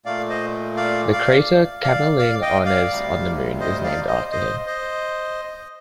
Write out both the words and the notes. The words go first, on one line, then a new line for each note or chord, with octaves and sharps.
The crater Kamerlingh Onnes on the Moon is named after him.
A#2 A3 D5 F5
C5 D#5
D5 F5
D5 F5
D5 F5
D5 F5
D#5 G5
D5 F5
D2 C3 G3
C5 D#5
D5 F5
C5 D#5
C5 D#5
C5 D#5